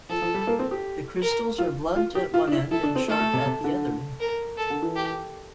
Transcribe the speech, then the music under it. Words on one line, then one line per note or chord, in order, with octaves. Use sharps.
The crystals are blunt at one end and sharp at the other.
F3 A4
F3
G3
A#3
C4
G4
A#4
F4
F4
G4
F4
D4
E4
E4 A4
D4
C4
A3 A4
A3
C3
C3
D3
A#4
A4
D3
E3
G4